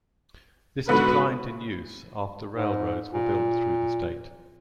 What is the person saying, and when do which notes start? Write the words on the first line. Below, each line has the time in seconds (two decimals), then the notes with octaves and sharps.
This declined in use after railroads were built through the state.
0.89 G#2 D3 B3 F#4 B4
2.55 G#2
3.14 A#2